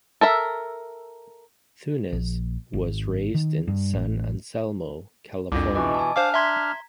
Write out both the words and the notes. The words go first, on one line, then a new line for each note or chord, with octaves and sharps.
Thunes was raised in San Anselmo, California.
A4 A#4 E5
A#1
G#1
D#3
G2
A1
C2 F2 D4 F4 D6
B2 E3 D#5 D6
G#5 A5
D4 C5 F5 D6 F6
E5 A#5 C6 G#6 B6